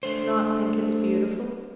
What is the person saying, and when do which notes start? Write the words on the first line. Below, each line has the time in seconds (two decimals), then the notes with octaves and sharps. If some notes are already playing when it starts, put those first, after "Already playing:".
"Not think it beautiful?"
0.03 A3 D4 C5